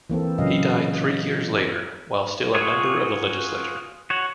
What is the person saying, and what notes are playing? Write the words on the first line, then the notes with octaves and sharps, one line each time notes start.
He died three years later, while still a member of the legislature.
E3 A#3 C4 A4
A#2 C#3 F#3 D#5 F5
F4 F#4 G#4 C#5
F#4 C#5 F#5